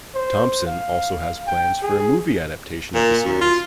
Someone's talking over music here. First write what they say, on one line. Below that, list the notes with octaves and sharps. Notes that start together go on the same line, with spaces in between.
Thompson also has plans for a movie adaptation of the series.
C5
F5
G5
G#4
A#2
F#2
F4